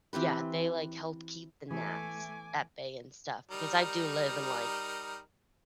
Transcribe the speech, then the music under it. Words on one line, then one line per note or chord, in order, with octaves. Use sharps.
yeah, they, like, help keep the gnats at bay and stuff because I do live in, like,
E3 C4 G4 B4
E3 A3 G#5 D6
G3 D#4 A#4